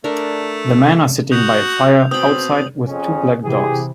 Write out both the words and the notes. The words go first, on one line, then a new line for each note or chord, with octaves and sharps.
The men are sitting by a fire outside with two black dogs.
A3 D4 A#4
F#4 D#6 G6 F7
B2 C4 G5 D#6 F#7
F2 C#4 G#4
C3 E3 G4 G#4